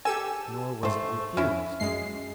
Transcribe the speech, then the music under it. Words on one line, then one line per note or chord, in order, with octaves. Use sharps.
Nor was it refused.
G4 A4 G#5 E6
G#2 A3 C5
F2 C#4 E4
F#2 G#3 C7